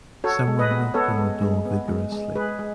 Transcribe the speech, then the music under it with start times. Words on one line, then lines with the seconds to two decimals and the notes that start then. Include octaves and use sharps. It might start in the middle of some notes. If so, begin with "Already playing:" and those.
Someone knocked on the door vigorously.
0.24 F#4 A4 C#5
0.47 G#3
0.59 B4 D#5
0.71 B3
0.94 B3 A4 C#5
1.17 G#3
1.42 G#3
1.65 B3
1.88 G#3
2.12 G#3
2.36 G#3 G#4 B4
2.59 G#3